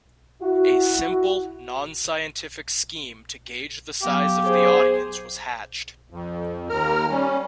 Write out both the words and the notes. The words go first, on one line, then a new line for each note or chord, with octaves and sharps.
A simple, non-scientific scheme to gauge the size of the audience was hatched.
E4 F#4
F#3 B3 G4 F5
G#4 C5
F2
D#2 A#4 A#5 F6
G3 C#4